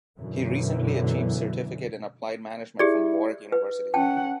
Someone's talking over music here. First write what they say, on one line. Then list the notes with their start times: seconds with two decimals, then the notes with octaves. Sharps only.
He recently achieved Certificate in Applied Management from Warwick University.
0.19 F#2 B2 D3 E3
2.79 E4 G4 G#4 D5
3.52 B4
3.94 C#4 F#5 G5 A5